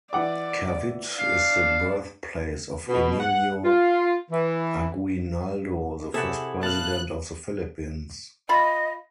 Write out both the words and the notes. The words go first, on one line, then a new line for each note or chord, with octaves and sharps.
Kawit is the birthplace of Emilio Aguinaldo, the first President of the Philippines.
E3 D5 F#5 D6
D4 F5
B2
F#5
F4
E3
C3 E4 G#4 A4 F#5
B2 F5 A5 F#6
F4 D#5 B5